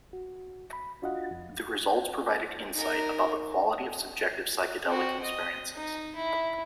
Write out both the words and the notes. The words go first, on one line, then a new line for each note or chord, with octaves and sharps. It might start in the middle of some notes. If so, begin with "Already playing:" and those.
The results provided insight about the quality of subjective psychedelic experiences.
F#4
B5
D4 F4 F#4 D#5 F5 F#5
F2
D#4 A#4
C4 F#4
D#5
D#4
E4